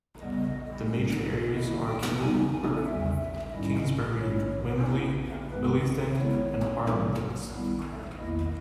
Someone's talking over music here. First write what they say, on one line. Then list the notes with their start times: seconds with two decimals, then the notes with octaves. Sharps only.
The major areas are Kilburn, Kingsbury, Wembley, Willesden and Harlesden.
0.21 C#3 G3 B3 D#5
0.87 G#2 G3 C#4
1.53 D#3 A#3 E4 D#5
1.87 G5
2.19 C#3 G3 B3 D#4 G#5
2.53 G#5
2.85 E2 C#3 G3 E5
3.19 E5
3.52 G#2 D#3 G3 C#4 E4 D#5
4.19 G#2 D#3 G#3 C#4 E4 C#5
4.85 B2 A#3 E4
5.51 G2 D#3 G#3 B3 B4
6.17 D#3 G#3 B3 E4 C#5
6.84 G#2 E3 G3 A#3
7.51 D#3 G3 B3 E4
8.16 E2 D#3 A#3 E4 D#5